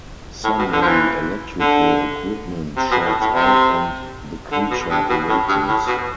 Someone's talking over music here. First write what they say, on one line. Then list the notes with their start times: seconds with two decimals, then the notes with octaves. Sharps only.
Suddenly, electrical equipment shorts out and the creature awakens.
0.44 A2
0.58 B2
0.72 D3
0.82 F3
0.88 E3
1.60 D3
2.77 C3
2.91 B2
3.06 A2
3.21 A2
3.34 C3
4.51 D3
4.71 B2
4.91 G2
5.09 B2
5.29 A2
5.48 G2
5.68 A2
5.87 B2